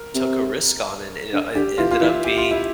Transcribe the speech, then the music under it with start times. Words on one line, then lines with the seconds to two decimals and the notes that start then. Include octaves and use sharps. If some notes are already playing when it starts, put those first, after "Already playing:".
took a risk on and it, uh, ended up being
Already playing: A#4
0.15 C3
1.32 D3
1.55 D3 G4
1.78 E3 F4
1.91 F4
2.01 E3 E4
2.24 G4
2.38 F4
2.51 E4